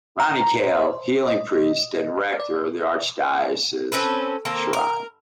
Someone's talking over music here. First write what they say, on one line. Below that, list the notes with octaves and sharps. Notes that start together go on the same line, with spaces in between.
Ronnie Cao, Healing Priest and Rector of the Archdiocesan Shrine.
A#5
C5
D#5
D5
C4 C#4 A4 B4
D#3 A#3 C4 A4
A#4